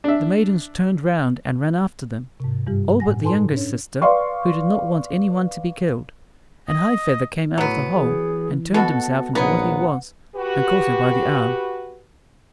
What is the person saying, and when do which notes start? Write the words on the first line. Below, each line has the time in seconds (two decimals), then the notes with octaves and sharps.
The maidens turned round and ran after them; all but the youngest sister, who did not want any one to be killed; and High-feather came out of the hole and turned himself into what he was, and caught her by the arm.
0.04 D4 E5
2.40 G#2 C3
2.67 G2 G3 G4
3.00 A2 F#5 G#5 A#6
3.23 D#4 A4 B4 G#5 A5 C6
3.54 C#4 D4 C#5
4.02 B4 D5 F5 C6 C#6
6.69 D#5
7.58 A2 F#3 B3
7.95 E3 G#4
8.74 B2 B3 F#4 A4
9.35 A#1 B3 D#4 C#5 F#5
10.36 F#4 G4 B4